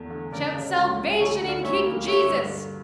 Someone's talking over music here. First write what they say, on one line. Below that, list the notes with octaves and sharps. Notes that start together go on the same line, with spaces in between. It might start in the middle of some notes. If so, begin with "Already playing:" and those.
Shout salvation in King Jesus.
Already playing: E2 A3
D3
C#3 A#4 D5
C#3
C#2
C#2
D2 A4 C#5
D3
D5 F5
D2 C#5 E5
A#3
D3 C#5 E5
G2
D3